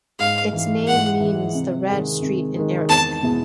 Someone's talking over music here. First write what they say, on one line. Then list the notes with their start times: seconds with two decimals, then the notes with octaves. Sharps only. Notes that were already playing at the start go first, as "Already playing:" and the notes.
Its name means "the Red Street" in Arabic.
0.19 G#2 F5
0.53 E3 G#3
0.87 G#2 F#5
1.21 E3 G#3
1.55 C3
1.89 D#3 G#3
2.22 C3
2.56 D#3 G#3
2.89 E2 A5
3.23 B2 G#3 B3 E4